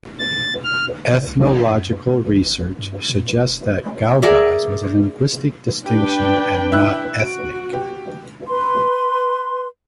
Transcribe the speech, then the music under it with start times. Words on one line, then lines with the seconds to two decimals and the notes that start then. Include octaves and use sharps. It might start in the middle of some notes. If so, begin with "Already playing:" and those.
Ethnological research suggest that "Gagauz" was a linguistic distinction and not ethnic.
0.19 A6
0.64 F6
1.12 C#3
1.27 C2
1.67 F#2
2.07 B2
2.27 G#1
2.79 G2
3.09 A#2
3.36 F1
4.22 G#4 A#4 D5 E5
5.86 D4 G4 B4 G5
6.72 E4 E5 F#6
7.20 F#4 D7
7.73 G4
8.48 B4 C6